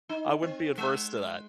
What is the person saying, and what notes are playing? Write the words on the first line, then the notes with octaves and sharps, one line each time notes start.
I wouldn't be adverse to that.
D#4
C4
G#3